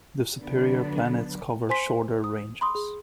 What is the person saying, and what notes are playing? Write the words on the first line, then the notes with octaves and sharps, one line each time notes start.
The superior planets cover shorter ranges.
D3 F#3 B3 D4
C5 G#5 C6 B6
D#6
B5 C6 D#6
G#4